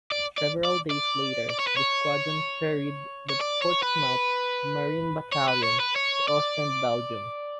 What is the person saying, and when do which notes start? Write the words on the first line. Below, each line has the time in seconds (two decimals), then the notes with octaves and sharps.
Several days later, the squadron ferried the Portsmouth Marine Battalion to Ostend, Belgium.
0.11 D5
0.38 D5
0.65 D5
0.90 D5
1.50 D5
1.59 C#5
1.67 B4
1.77 C#5
3.30 C#5
3.41 D5
3.62 C#5
3.83 B4
5.32 C#5
5.49 B4
5.64 C#5
5.80 B4
5.96 C#5
6.28 D5